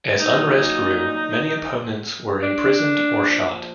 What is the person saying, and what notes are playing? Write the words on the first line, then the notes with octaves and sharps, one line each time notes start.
As unrest grew, many opponents were imprisoned or shot.
A#2 F#3 D#4
D4
A#2 F3